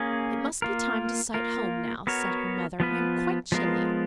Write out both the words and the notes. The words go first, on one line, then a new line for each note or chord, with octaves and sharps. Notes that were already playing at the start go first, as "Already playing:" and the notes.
"It must be time to sight home now," said her mother; "I am quite chilly."
Already playing: A#3 C#4 G#4
A#3 F4 A#4
A#3 F4 A#4
B3 F#4 A#4 C#5
F3 B3 F4 B4
F3 G#3 B3 F4 A#4